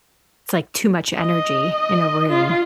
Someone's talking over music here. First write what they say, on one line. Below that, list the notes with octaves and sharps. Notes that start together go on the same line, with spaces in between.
it's, like, too much energy in a room.
D#5
F4